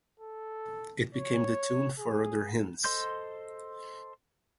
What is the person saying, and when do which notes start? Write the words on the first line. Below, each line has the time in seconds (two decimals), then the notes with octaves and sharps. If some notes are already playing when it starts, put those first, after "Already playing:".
It became the tune for other hymns.
0.20 A4
1.15 C#5
1.98 G#4
2.84 A4 C5 D#5 C6 G6